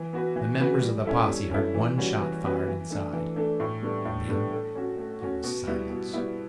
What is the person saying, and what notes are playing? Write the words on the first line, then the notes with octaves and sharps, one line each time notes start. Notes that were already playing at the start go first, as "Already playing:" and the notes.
The members of the posse heard one shot fired inside, and then there was silence.
Already playing: E3
B3 F#4 B4
E3
B3 F#4 B4
G3
C#4 E4 A4
G3
C#4 E4 A4
E3
G3 C#4 F#4 B4
E3
G3 C#4 F#4 B4
E3
A3 D4 A4
E3
A3 D4 A4
A2
G3 B3 D4 A4
A2
G3 B3 D4 A4
A3
C#4 F#4
A3
C#4 F#4
B2
G3 B3 E4
B2
G3 B3 E4